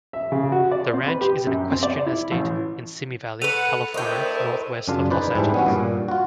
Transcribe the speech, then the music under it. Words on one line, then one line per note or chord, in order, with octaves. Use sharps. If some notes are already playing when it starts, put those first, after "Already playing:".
The ranch is an equestrian estate in Simi Valley, California, northwest of Los Angeles.
E5
C#3
F#4
D5
C4
B4
G4
F#2
C4
D5
E4
A1
A4 B4 F#5 D#7 F7
A3 D4 E4 A#4 C5 D#5 G5
F#2 C#3 D4 F4 F5
D#4 G#4 B4 C5 D5
G#2 E3 G3 D4 E4
B3 C#4 F#4
G2 A#2
F4 F#4